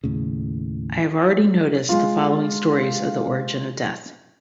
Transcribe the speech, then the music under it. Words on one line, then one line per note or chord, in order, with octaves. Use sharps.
I have already noticed the following stories of the origin of death.
D#2 A2 C#3
G#3 F4